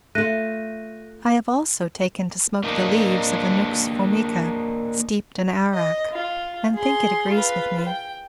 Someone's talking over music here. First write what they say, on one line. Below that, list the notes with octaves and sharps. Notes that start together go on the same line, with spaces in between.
I have also taken to smoke the leaves of the nux vomica, steeped in arrack, and think it agrees with me.
A3 F4 F#6 A#6 D#7
A#3 D4 D#4
D#5
F4
G#4 C6
F4 B4
G5